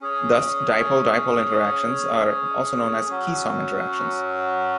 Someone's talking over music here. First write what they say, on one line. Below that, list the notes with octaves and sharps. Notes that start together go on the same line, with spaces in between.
Thus, dipole-dipole interactions are also known as Keesom interactions.
C#4 G#4 C#5
F#3 C#4 F#4